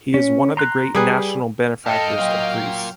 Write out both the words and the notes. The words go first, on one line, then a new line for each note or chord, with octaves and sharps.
He is one of the great national benefactors of Greece.
C#4
A#5 C6 F#6
G3 G#4 B4
G2 A4 D#5 F5 G5 F6
A#2 F#3 A#3